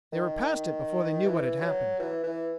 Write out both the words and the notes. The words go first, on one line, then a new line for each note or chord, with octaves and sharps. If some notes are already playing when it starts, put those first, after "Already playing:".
They were past it before they knew what had happened.
D#3
E3
F#3
E3
E3